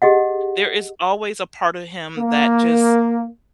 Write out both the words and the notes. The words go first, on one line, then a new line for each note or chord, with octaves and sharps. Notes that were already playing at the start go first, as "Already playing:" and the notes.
there is always a part of him that just
G4 G#4 D#5 F#5
A#3